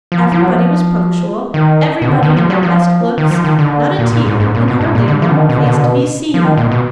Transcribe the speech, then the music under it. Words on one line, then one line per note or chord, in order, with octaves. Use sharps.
Every body was punctual, every body in their best looks: not a tear, and hardly a long face to be seen.
F3
F3
F#3
F3
D#3
B2
D3
D#3
F3
F#3
F3
D#3
F3
D#3
D3
A#2
A#2
G#2
G#2
A#2
B2
G#2
A#2
D3
F3
D3
D#3
B2
D3
B2
D3
B2
F3
D#3
A#2
B2